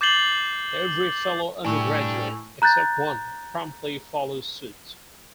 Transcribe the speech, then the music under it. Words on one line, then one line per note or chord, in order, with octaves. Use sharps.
Every fellow undergraduate, except one, promptly follows suit.
D6 G6 A6 C7 F#7 G7
A2 D4 G4 G#5 C#6 E6
A#5 F#6 G6 A6